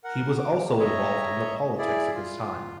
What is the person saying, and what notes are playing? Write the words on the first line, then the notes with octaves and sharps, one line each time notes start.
He was also involved in the politics of his time.
A#4 F#5
D6
C#5 D#5 E5 A#5
E4 G#4 D5
F4